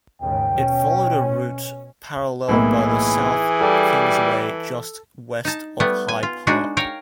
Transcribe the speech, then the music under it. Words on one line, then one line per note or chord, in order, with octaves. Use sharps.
It followed a route paralleled by the South Kingsway just west of High Park.
D#2 G#2 C#3 G5
B2 C#4
B1 A2 E3 A#3 G#4
G3 A4
D#4 A5
G3 A3 B3
G#5
F4
G#3 D4 D#4 F#4 G#4
A#4 C#5 F5 G5